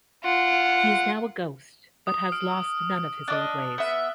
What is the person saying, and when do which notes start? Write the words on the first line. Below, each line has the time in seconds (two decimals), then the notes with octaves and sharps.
He is now a ghost, but has lost none of his old ways.
0.24 F4 F#5
2.07 D#6
2.32 F6 D7
3.28 D4 D5 D#5 F#6 A6
3.78 B3 E5